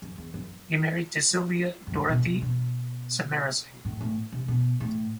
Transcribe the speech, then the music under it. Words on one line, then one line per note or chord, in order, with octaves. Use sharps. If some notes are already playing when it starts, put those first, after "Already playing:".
He married to Sylvia Dorothy Samarasinghe.
F#2
E2
F#2
F#2
G2
B2
C3
B2
A2
A2
C3
B2
A2